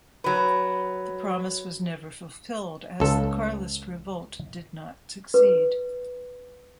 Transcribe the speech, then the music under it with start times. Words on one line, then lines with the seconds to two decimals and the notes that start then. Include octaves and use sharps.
The promise was never fulfilled, as the Carlist revolt did not succeed.
0.24 F#3 B4
3.00 C#2 A4
5.34 B4